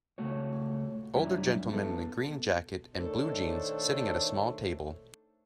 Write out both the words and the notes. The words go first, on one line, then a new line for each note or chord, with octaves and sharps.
Older gentlemen in a green jacket and blue jeans sitting at a small table.
C#2 A3 F#4 C#5
F2 F#3 G3 C#4 D4 E4
B3 A4
D#3 A3 D4 A4 C5 C#5